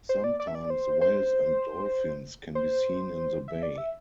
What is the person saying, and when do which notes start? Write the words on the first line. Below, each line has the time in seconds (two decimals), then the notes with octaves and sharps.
Sometimes, whales and dolphins can be seen in the bay.
0.09 C5
0.24 D5
0.40 D5
0.47 E5
0.55 D5
0.70 C5
1.01 C5
2.55 C5
3.48 E5
3.63 D5
3.78 E5